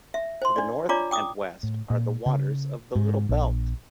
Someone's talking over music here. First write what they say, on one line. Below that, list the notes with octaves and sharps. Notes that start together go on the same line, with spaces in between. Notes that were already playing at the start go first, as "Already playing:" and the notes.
To the north and west are the waters of the Little Belt.
E5
C5 C6
D4 D5
D4 F4 C#5 D5 A#5 D6
G5 D6 D#6
A2
A#2
C#3
G#2
A#1